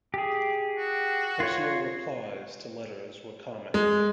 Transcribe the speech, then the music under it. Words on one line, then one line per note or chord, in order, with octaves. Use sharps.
Personal replies to letters were common.
G4 G#4
F#4
F4 C#5
G#3